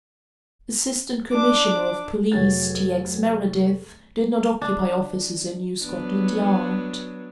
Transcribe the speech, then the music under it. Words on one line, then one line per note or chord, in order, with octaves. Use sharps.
Assistant Commissioner of Police T. X. Meredith did not occupy offices in New Scotland Yard.
D4 D6
F1 F#3 G#4 A6
D4
F#3 B3 D4